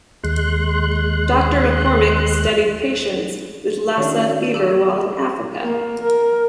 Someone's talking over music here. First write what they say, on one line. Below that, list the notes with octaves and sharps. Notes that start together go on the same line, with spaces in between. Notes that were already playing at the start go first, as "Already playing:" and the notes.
Doctor McCormick studied patients with Lassa Fever while in Africa.
D#2 G#3 C6 F#6
D#3 C#4 D4 F#4 C#5
G4 A4
A#3
A#4